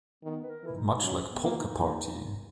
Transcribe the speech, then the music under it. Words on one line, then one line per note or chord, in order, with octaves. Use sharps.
Much like Polka Party!
D#3 B3
B4
A#4
E3 E4
D#4
D#4
F#3 C#4
B3
A#3
D#4
A#3